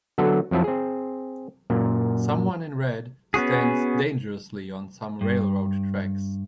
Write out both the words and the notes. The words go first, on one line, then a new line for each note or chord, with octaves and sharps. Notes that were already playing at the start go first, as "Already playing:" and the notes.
Someone in red stands dangerously on some railroad tracks.
D3 F#3 B3 F#4 A4
F2 F3 F#3 E4 A5
C4 G#4
F#2 A#2
B3 C#4 F#4 G#4
G2